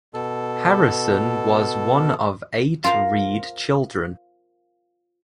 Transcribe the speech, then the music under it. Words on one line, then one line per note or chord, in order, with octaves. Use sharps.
Harrison was one of eight Reed children.
B2 A4
F4 A#4 C5 F5